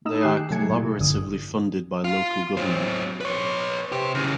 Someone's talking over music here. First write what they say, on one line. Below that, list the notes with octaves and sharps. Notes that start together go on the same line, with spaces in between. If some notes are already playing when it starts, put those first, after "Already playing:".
They are collaboratively funded by local government.
A3 D#4 D#6 E6 E7
D#3 G4 G#5 F#6 C7
C3 F#3 A3 G#5 G#6 C#7
A#2 E4
A1 G2 D3 D#6
F4
F#3 C4
B4 C#5
G4 C5
C#3 E3